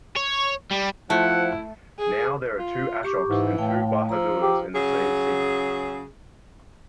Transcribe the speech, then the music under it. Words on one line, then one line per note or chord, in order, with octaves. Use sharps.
Now there are two Ashoks and two Bahadurs in the same city.
C#5
G3
F3 A3 E4 F#5
G#4
F4
G4 C#6 D6
G#2 E3
A2 A3 F5 G5
F3 A#5 E6
G4
C#3 F#3 G#4